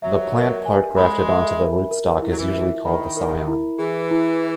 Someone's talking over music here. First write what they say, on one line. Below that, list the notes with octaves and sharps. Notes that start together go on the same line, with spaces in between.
The plant part grafted onto the rootstock is usually called the scion.
F#3 E5
A#4
G#5
G#3 B5
E5
A#4
A#4
E4
F#3
E3
E5
D#3 B5
A#4
E4
E3 G#4
E4